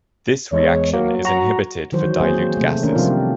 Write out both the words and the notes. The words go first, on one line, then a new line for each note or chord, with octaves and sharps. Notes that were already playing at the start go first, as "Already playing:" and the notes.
This reaction is inhibited for dilute gases.
E2 G#3 C#5
F#3 A#3
F#4 A#5
D#3 E3 F#3 F#4 C5
F#3 A#3 C4 G#4 C5
C3 A3
D#3 A3 A#3 C#4 D4 A#4
C3 F3 G3 C4 F4